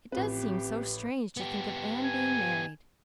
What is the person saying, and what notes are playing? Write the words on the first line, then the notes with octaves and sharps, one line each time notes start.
It does seem so strange to think of Anne being married.
A1 F3 C4 G4 B4
B3 G4
G#5